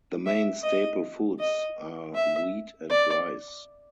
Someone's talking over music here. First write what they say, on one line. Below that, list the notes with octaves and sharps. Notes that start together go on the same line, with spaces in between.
The main staple foods are wheat and rice.
E5
D#5
D#5
E5
D5